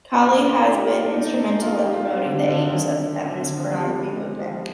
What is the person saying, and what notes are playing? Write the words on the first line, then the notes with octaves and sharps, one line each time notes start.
Kali has been instrumental in promoting the aims of the feminist pornography movement.
F4
A#3
A#3
D#4
G4
F4
D4
D#4
D#4
D4
D#4
F4
G4
F4
D4
C4
D3
C3
D3
D#3
D3
C3
D3
F3
G3
G3
G#3
G3
F3
G3